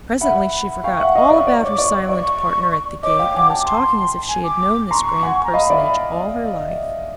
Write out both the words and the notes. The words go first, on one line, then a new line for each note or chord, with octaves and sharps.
Presently she forgot all about her silent partner at the gate and was talking as if she had known this grand personage all her life.
E5 F#5 B5
F5 G5 C#6
E5 F#5
D#5 F5 C#6
D5 E5
D5
C#5 D6
D5 C#6
D5 C#6
C#5 D#5 D6
F5 G5
F#5 G#5
G5 A5
C6
G#5
D6
A#5 C6 C#6
F#5 G#5
A#5
D#5 F5 B5
D5 E5